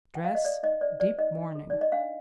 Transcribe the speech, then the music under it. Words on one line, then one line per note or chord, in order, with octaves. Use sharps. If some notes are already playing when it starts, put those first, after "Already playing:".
Dress--deep mourning.
G5
F5
D#5
A4 D5
D#4 D#5
C5 D5
C5 D5
D#4 D#5
D#4
A4
D#4 D5
D#5
D4 F5